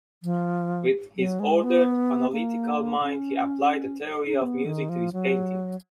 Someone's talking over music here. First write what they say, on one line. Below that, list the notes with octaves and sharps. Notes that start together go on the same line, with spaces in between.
With his ordered, analytical mind, he applied the theory of music to his painting.
F3
F#3
G#3
B3
A#3
C#4
D#4
C#4
B3
D#3
F3
F#3